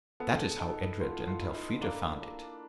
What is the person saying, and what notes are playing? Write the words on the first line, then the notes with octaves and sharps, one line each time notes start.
That is how Edred and Elfrida found it.
B3 A4
D#4 A4
E4 F4
F4
E4
D#4
A#3 D4
D4